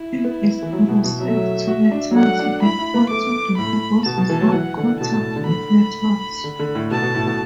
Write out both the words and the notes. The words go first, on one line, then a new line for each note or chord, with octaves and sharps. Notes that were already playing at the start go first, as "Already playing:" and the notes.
It is corrosive to metals and also decomposes on contact with metals.
Already playing: E4
B3
E3
F#3
B2
B2
F#3 E5
A3
F#3
F#4
D4
F#3
A3 F#5
D4
E4 B5
E4
B3
A3 D6
A2 B5
B2 A5
B2
E3
F#3
E3 F#5
D3
B2 A5
A2
D3
D3 B5
D3
D3
A2
B2 A5
B2
A2
B2